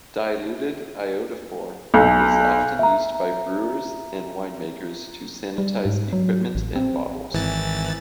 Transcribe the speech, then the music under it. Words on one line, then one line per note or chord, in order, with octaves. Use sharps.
Diluted iodophor is often used by brewers and winemakers to sanitize equipment and bottles.
B1
E5 A#5
G3
G#2
F#3
A1
C4
G#1 E3 A6